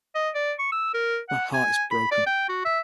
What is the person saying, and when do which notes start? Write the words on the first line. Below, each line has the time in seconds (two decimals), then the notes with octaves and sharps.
My heart is broken.
0.15 D#5
0.35 D5
0.59 C#6
0.72 E6
0.94 A#4
1.29 F#5
1.54 G#5
1.91 B5
2.11 D5
2.26 G5
2.49 F#4
2.65 E5